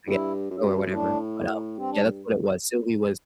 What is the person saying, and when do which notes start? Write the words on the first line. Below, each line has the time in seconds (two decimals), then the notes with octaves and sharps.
again, grow or whatever, but, um, yeah, that's what it was, Sylvie was
0.07 G2 E4
0.50 F#2
0.58 G2
0.65 F#2
0.92 A2 D4
1.78 G2 C4
1.90 D4